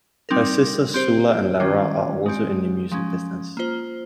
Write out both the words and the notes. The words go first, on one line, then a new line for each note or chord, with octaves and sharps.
Her sisters Sula and Lara are also in the music business.
G3 C4 D#4 A#4
C4 G4 C5
D#3 G3 C#4 F4
G#3 C4 G4
F3 G#3 C#4
A#3 F4 C5